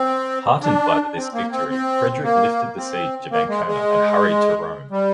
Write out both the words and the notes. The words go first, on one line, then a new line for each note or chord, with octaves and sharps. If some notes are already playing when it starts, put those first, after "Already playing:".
Heartened by this victory, Frederick lifted the siege of Ancona and hurried to Rome.
Already playing: C4
D4
C4
A#3
C4
C4
A#3
C4
A#3
G#3
G#3
G3